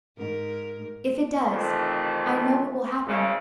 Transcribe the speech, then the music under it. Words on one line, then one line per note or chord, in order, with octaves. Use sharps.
If it does, I know what will happen.
G#2 A#4
F2 C3 D#3 E3 A3
G#1 C#3